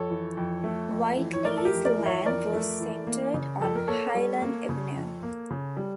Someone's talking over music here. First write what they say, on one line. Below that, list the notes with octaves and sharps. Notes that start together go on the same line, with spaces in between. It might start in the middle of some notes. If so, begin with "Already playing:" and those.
Whitley's land was centered on Highland Avenue.
Already playing: F2 A4 C#5
E3
F2
A3
F2
E3
C#5
A3 A#4 D5
A4
G4 A#4
F2
A#4 D5
E3
C#5 E5
F2 A#4 D5
A3
E3
A#3
C#3
F2 A4
A#4
A#3 A4 C#5
G3
A#3
C#3
F2
A#3
C#3
G3